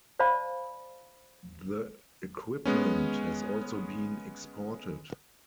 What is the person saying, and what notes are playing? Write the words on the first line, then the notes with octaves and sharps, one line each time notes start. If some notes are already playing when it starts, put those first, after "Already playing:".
The equipment has also been exported.
C5 D5 F5 A5 B5
G#3 B3 C#4